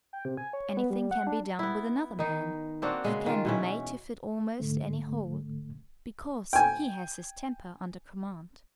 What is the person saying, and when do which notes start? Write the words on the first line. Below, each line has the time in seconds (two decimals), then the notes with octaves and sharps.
Anything can be done with another man,--he can be made to fit almost any hole,--because he has his temper under command.
0.13 G5
0.25 C3
0.37 G#5
0.53 C#5
0.77 B3
0.90 G3
1.11 F#5
1.27 D4
1.59 B3 E4
2.19 D#3 D#4
2.82 A#3 C4 D4 F#4
3.04 C#3 G#3
3.26 D#3 F4
3.45 B2 E3 C#4
4.60 G#2 D3 A3
6.53 G5 G#5